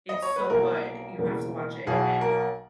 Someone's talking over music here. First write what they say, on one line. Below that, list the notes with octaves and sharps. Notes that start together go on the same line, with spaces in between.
It's so good, you have to watch it and
D#5
C#5
B4
B1 B2 A#3 E4 A#4
E1 E2 C#3 E3 A#3
B1 B2 F#3 G#4
A#4